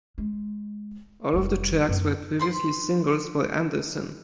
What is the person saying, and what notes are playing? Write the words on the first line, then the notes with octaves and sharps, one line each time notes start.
All of the tracks were previously singles for Anderson.
G#3
F1 G3
F#2 A#3
B4 C5 C6